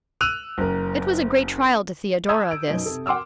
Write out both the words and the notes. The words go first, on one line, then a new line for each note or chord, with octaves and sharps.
It was a great trial to Theodora, this.
E6 F#6 D#7 F7
F#1 A#4
A5 A#5 D#6 E6 G6 G#6
D7
F#2 B2 D#4
C3 A4
F#5 C6 D6 E6 F6